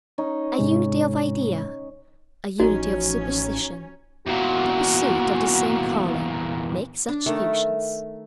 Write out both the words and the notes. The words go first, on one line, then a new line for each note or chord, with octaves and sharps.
A unity of idea, a unity of superstition, the pursuit of the same calling, make such fusions.
C#4 D#4 C#5
G#2 C3 G#3
A1 F3 C#4 D#4 F#4
E2 A#2 F#4
D4
D#3 A3